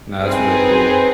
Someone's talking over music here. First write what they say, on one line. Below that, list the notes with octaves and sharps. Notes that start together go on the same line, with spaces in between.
Nah, that's really cool.
C4 D#4 G#4 B4